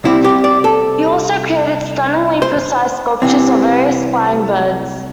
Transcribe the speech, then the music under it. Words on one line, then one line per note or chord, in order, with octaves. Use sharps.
He also created stunningly precise sculptures of various flying birds.
C2 C3 G3 C4 E4
G4
D5
A4
C5
C2 C3 E3 C4